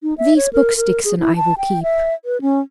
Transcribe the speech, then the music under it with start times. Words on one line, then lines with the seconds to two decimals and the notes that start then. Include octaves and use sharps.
'These books, Dixon, I will keep.
0.03 D#4
0.18 E5
0.36 C#5
0.53 A#4
0.77 A#4
1.05 G#4
1.20 E4
1.36 A5
1.58 G5
1.83 E5
2.25 B4
2.41 C#4